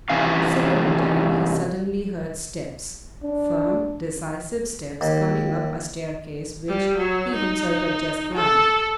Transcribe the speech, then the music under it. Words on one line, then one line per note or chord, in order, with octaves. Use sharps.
So wandering, he suddenly heard steps, firm, decisive steps coming up a staircase which he himself had just climbed.
C3 E3 C#4 F5
D4
D#2
G3
F#3
D#4
A4